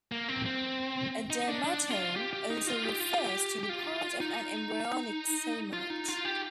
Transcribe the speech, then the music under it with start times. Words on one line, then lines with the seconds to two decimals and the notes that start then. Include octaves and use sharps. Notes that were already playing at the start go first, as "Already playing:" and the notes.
A dermatome also refers to the part of an embryonic somite.
0.12 A#3
0.28 C4
0.45 C4
1.30 D#4
1.48 D4
1.64 D4
1.90 F4
2.16 G4
2.33 G4
2.50 D#4
2.67 F4
2.83 G4
3.00 F4
3.18 G4
3.63 G4
3.69 F4
4.20 D#4
5.73 F4
5.90 D#4
6.08 F4
6.25 G4